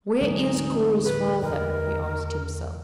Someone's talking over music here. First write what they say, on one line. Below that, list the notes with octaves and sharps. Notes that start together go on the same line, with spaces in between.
"Where is Cora's father?" he asked himself.
D2 G#2 E3 F#3 A3 C4 C#4 D#4
A2 F3 G3 B4
E2 D#4 A#4